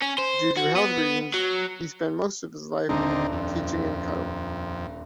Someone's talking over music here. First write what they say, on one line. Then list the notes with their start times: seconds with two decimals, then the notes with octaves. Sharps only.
Due to health reasons, he spent most of his life teaching in Cairo.
0.02 C#4
0.18 C5
0.57 F#4
0.76 B3
1.34 F#3
2.89 D#1 D3 C4 D4 D#4 A#5
3.32 F2